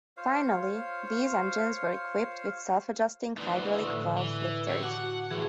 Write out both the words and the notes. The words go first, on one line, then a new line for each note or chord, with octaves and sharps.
Finally, these engines were equipped with self-adjusting hydraulic valve lifters.
F4 C5 C#5 F5
D2 E3
A2 D3
E3
G4 C#5
F#4 F#5 A5 D6
A2 E3 G#4